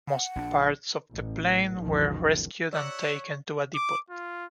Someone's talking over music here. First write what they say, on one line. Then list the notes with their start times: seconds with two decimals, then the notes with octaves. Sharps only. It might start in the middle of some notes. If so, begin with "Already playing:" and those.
Most parts of the plane were rescued and taken to a depot.
0.09 F#5
0.36 A#1 C#4 D4
1.12 A1
1.78 F#1 C#2 B2 D#3 F3
2.73 C#5 D5 E5 F#5 A#5 E6
3.75 D6
4.11 F4